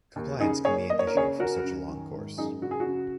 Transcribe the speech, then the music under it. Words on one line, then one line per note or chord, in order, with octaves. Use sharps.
Compliance can be an issue for such a long course.
D#2
C#3 D#4 G#4
A#3 G#4 C#5
A#3 D#5
C#5
A#4
C#3 G#4 C#5
C#4 F#4 A#4
F#2
D#3
G#2
F#2 D#4 G#4
C#3 F#4
G#4
F#4
C#3